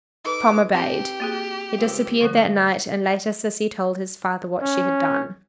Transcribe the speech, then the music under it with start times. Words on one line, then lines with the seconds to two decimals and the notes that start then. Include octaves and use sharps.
Tom obeyed. He disappeared that night, and later Sissy told his father what she had done.
0.25 D#4 A4 B4 D6
0.73 C4 G4
1.20 A#3 F#4 G#4
1.79 C#2 C4 A4
2.21 D3 F3 A3
4.62 C#4